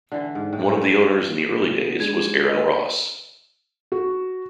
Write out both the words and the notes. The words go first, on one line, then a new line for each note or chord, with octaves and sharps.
One of the owners in the early days was Aaron Ross.
D3 E3
G#2
A2
A3
B3
G#3 D4 G#6
B4 D#5
F#4